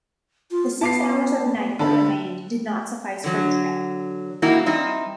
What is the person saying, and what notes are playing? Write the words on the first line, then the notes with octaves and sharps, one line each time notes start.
The six hours of night that remained did not suffice for the trip.
F4
B3 A5 D6 C7
D3 D4 A5 B5
D3 F#3
G3 A#3 D#4 E4 F#4
G3 C4 D#4 E5